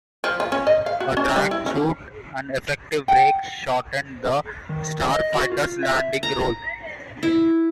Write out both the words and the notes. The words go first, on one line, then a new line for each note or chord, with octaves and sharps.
A drag chute and effective brakes shortened the Starfighter's landing roll.
F3
F4
C#4
D#5
F5
F#4
C#4
G3
E4
C#4
F#5 G5
D#3
D#5
F#4
F4
E5
A#5
E4